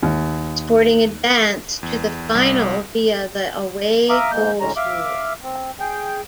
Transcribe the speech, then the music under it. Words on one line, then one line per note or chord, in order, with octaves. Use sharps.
Sporting advanced to the final via the away goals rule.
D#2
E2
C2
E5 F5 A#5 D6 D#6
G#2 G#3 A#3 G6
A2 D3 G#3 C#4 A#5
E5 F5 D6
C4
G#4 G5